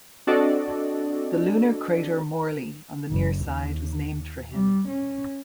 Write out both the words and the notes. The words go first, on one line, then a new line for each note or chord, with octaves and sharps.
The lunar crater Morley on the near side was named for him.
C4 D4 F#4 A4 D5 D#5
F#1
D#2
G3
C#4